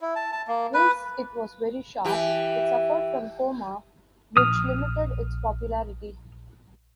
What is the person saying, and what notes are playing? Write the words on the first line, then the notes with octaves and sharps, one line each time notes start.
Whilst it was very sharp, it suffered from coma which limited its popularity.
E4
A5
A5
A#3
B4
E3 G4
A#1 D#6 F6